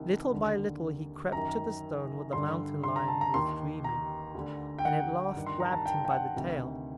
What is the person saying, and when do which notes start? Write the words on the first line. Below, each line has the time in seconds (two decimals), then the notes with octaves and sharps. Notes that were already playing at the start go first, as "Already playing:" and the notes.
Little by little he crept to the stone where the Mountain-lion was dreaming, and at last grabbed him by the tail.
Already playing: C2 C3 D#3
0.31 D#2 D3
1.32 F#2 D#3 A#5
2.33 G2 D3 C6
2.84 C6
2.96 A#5
3.08 A5
3.21 A#5
3.34 D#2 D#3 C6
3.84 A#5
4.34 D2 D3
4.79 G5
4.85 F#5
5.34 G2 D#3
5.46 C6
5.60 A#5
5.73 A5
5.86 G5
6.05 G5
6.10 F#5
6.36 D2 C3 D#3